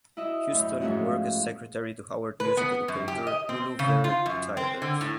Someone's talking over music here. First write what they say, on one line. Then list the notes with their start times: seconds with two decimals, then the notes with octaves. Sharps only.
Houston worked as secretary to Howard music educator Lulu Vere Childers.
0.17 E4 F#4 D#5 E5
0.52 F#2 A2
0.81 G#2 F3 A3 C#4 F#4 G#4
2.40 B4
2.57 B3
2.88 F#2
3.08 G4
3.27 D#5
3.49 C4
3.79 C#3
4.04 F4
4.26 F#2
4.57 C4
4.82 D3
5.01 A2